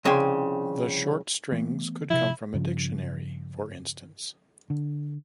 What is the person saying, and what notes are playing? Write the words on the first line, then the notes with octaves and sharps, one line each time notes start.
The short strings could come from a dictionary, for instance.
C2 C#3 F3 G5 G#5 C6
E3 A3 B3
C3 F3 E4
G2 C#3 F3
D3